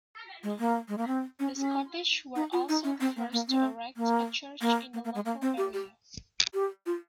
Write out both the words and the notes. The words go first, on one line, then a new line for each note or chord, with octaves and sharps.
The Scottish were also the first to erect a church in the local area.
G#3
A#3
G#3
A#3
C4
C#4
C#4
D#4
F4
D#4
C#4
C4
A#3
A#3
C4
A#3
A#3
A#3
A#3
G#3
A#3
C4
G4
G4
G4
F4